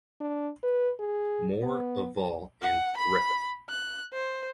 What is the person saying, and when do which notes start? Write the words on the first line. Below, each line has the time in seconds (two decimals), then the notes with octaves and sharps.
Moore Oval in Griffith.
0.21 D4
0.63 B4
0.99 G#4
1.62 B3
2.61 F#5
2.97 B5
3.69 F#6
4.13 C5